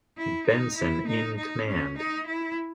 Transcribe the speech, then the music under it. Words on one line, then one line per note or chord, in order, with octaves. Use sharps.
Benson in command.
E4
D#4
E4
D#4
D#4
C#4
D#4
E4